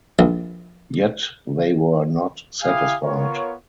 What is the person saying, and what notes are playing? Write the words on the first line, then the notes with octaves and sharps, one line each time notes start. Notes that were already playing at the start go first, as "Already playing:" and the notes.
Yet they were not satisfied.
A#1
E4 G4 F5 G#5 D#6
B3 F4 A#4 C#5